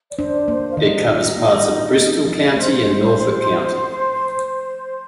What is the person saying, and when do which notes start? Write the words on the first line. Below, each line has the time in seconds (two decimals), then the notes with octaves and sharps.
It covers parts of Bristol County and Norfolk County.
0.10 D5
0.18 D4 C5
0.48 A#3 C5
0.71 F5
0.77 D#3 D#4 D#5
1.07 F4
1.37 A#3
1.67 D4
1.97 A#3
2.27 F3
2.56 A3 C5